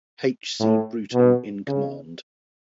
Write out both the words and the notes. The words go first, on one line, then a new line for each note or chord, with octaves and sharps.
H. C. Bruton in command.
A2
B2
C#3